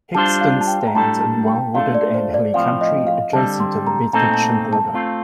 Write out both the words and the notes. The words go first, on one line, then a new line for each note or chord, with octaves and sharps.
Hexton stands in well wooded and hilly country adjacent to the Bedfordshire border.
G3 D4 F4 C5 A5
F5
A5
G5
A#5
A2 G3 D4 A4 A5
A5
G5
A3 D4 F4 F5
D5
C5
D5
A2 F3 C4 F4 F5
D#5
F5
D3 G3 C4 A5
C6
A#5
A#2 A3 C4 D#4 A4 A#5
A5
A5
A3 C4 F4